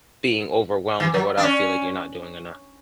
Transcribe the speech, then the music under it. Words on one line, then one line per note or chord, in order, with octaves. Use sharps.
being overwhelmed or without feeling, like, you're not doing enough.
E3
F#3
D4
C#4